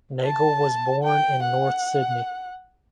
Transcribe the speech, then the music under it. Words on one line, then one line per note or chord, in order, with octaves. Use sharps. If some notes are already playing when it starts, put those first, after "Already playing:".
Nagle was born in North Sydney.
A5
G5
F#5